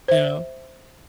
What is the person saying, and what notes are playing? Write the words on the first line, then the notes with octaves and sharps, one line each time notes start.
You know?
C5 E5